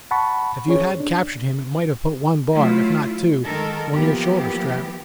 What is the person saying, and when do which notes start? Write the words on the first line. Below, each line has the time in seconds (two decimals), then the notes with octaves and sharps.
"If you had captured him it might have put one bar, if not two, on your shoulder-strap."
0.11 F#5 A5 B5 C#6
0.68 C#4 G#4 C#5
1.00 D4
2.53 F#3 A3 E4 F4
3.43 D#3 G#3 A4 A#4
3.93 E3 F3 A#3 B3 G4